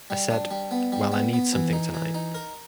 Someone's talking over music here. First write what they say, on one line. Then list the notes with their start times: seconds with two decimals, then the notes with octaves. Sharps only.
I said, 'Well, I need something tonight.
0.10 G3
0.30 D4
0.51 G3
0.71 B3
0.92 G3
1.12 B3
1.33 B3
1.53 E3
1.73 D#4
1.94 E3
2.14 D#4
2.35 A#4